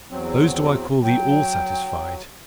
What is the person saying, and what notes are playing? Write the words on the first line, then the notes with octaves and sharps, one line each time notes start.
Those do I call the all-satisfied.
E2 F#3 C4
F#3 G5